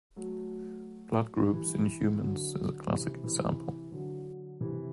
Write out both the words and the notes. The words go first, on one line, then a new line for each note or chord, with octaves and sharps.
Blood groups in humans is a classic example.
F#3 A3
E3 G3
D3 F#3
C3 E3
C3 E3
D3 F#3
C3 E3